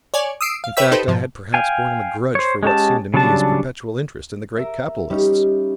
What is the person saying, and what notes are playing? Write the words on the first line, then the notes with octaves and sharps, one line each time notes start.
In fact, I had perhaps borne him a grudge for what seemed to me his perpetual interest in the great capitalists.
C#5 D5 G#5
D#6 E6 C7 D7
F5
B4 C#5 E5 G5 E6 B6
D#4 G4 A4 B4 C5
G#2 F3
F5 G5 G#5
C5 C#5
G#3 C#4 G4 A5
C#3 F#3 G3 D4 A5
A#4 E5
G3 C#4 D#4